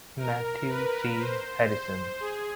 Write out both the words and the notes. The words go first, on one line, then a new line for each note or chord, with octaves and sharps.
Matthew C. Harrison.
A#4
B4
C5
C5
G#4